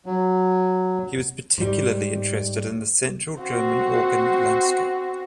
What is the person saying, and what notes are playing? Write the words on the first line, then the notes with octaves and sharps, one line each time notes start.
He was particularly interested in the Central German organ landscape.
F#3
G#2 G3
C4 F#4